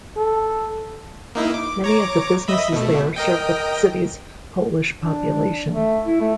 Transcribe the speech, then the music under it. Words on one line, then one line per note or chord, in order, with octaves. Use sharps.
Many of the businesses there serve the city's Polish population.
A4
A#3 D#4 E4
D6
C#5 A#5 D6
D#5 E5 B5
B2 A3
A#4 D#5 G5
D4
A3
E4
A3